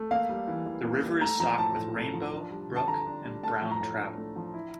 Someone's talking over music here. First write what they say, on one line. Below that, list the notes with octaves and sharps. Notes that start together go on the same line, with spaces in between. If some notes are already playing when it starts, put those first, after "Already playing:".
The river is stocked with Rainbow, Brook, and Brown trout.
Already playing: A3
A#3 F5
G3
E3
E3
A#3
G3
A3 A#5
F3 A#5
A2 A5
A2
A3
F3
D4
G3
D3
A5
D3 A#5
D4
G3
A3 A5
F3
A#5
A2
D4
A3
F3
E4